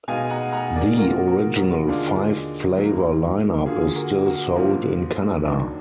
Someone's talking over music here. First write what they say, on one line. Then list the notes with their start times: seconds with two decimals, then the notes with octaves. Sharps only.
The original five-flavor lineup is still sold in Canada.
0.08 B2 G#3 D#4 F5 G#5
0.30 F#5 A#5
0.53 F#5 A#5
0.76 A#4 D5
0.98 B2 A#3 F4 F#4 A#4
1.27 F#4 A#4
1.57 F#4 A#4
1.87 D#2 D3 G#3 D4 F4
2.77 G#2 D#3 F#3 A#3
3.66 D3 F#3 A#3 F4 G#4
3.96 F#4 A#4
4.25 F#4 A#4
4.55 G#2 F3 A#3 F4
5.45 D#2 D#3 F#3 D4